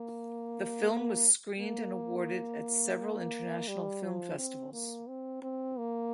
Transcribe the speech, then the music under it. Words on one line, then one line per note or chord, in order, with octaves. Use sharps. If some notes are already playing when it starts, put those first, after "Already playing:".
The film was screened and awarded at several international film festivals.
Already playing: A#3
A#3
A#3
G3
F3
C4
A#3
C4
C4
A#3